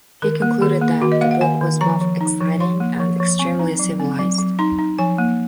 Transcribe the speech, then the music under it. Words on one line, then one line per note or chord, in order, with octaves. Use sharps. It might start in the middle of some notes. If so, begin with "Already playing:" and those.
He concluded that the book was "both exciting and extremely civilized".
D#3 A#4
A#3
D#3 G#4
A#3
D#3 F#4
D#5
A#3 F5
F#5
D#3 G#5
D#3
F3 A#5
F3
D#4
F3
F3 C6
A#3
F3
F3
C4 C#6
D#4
F#3
C4
F#3
F#3
D#4 C6
D#4
F3 G#5
A#3